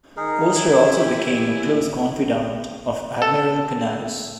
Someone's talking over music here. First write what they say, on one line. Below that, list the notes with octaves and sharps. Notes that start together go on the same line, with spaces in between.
Oster also became a close confidant of Admiral Canaris.
D#3 D#4 G#4 A#4
E4 G#5
G4
E2
A4